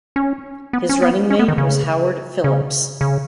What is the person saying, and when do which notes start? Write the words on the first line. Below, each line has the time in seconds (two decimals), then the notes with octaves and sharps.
His running-mate was Howard Phillips.
0.16 C#4
0.73 B3
0.89 C#4
1.02 B3
1.30 C#4
1.39 B3
1.48 D#3
1.58 C#3
2.44 C#3
3.01 C#3